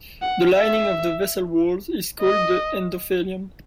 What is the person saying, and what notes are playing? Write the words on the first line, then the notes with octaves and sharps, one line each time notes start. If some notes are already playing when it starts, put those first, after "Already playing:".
The lining of the vessel walls is called the endothelium.
F#5
E5
D#5